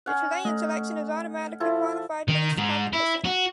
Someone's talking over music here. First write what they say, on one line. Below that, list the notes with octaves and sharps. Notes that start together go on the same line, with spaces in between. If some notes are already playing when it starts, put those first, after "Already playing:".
The Chilean selection is automatically qualified for this competition.
C#4 F#5
A3
F3 E4 A4
D#3
G#2
E4
F#4